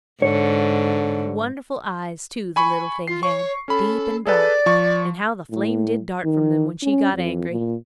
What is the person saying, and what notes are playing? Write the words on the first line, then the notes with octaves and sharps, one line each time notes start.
Wonderful eyes, too, the little thing had--deep and dark--and how the flame did dart from them when she got angry!
G#2 D3 C#5
G#5 B5 C#6
F4 C7
C#5 C#6
C#4 A4 B5
G#4 A4 B4 D5
F3 C#6
A2
D#3
C#4
F2
A#2